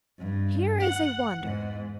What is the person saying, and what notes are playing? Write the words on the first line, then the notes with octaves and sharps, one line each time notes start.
"Here is a wonder!"
G2
F#5
E2 G#2